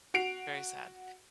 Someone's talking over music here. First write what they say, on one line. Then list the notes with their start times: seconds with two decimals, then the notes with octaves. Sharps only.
very sad.
0.14 F#4 C7 D7 F7